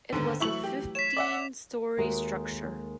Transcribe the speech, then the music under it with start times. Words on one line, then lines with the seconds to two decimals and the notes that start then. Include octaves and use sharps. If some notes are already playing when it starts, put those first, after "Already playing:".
It was a fifteen story structure.
0.12 D#2 G#2 D3 B3
0.40 E3 F#3 A3 E4 C#6 F#7
0.64 G4
0.95 C#5 B6 E7
1.17 D5 E5 F#5 D6
1.98 D#2 D#3 G#3 A3 F#4 A#4